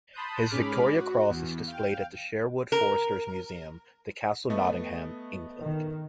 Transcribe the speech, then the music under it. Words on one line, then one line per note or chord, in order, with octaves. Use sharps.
His Victoria Cross is displayed at the Sherwood Foresters Museum, The Castle, Nottingham, England.
A5 B5 C6 D#6 F#6 G6
G#2 C#4 G#4 B5 D6 F6
F#4
E2
F5 G5
A#4
A3 B3 D#5
D#3